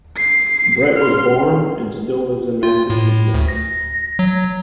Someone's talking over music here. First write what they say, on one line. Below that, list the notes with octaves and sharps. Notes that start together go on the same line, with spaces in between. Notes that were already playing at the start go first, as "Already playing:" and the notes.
Brett was born and still lives in Massachusetts.
C7
C6 F6
F4
A2
D2
A#6
F#3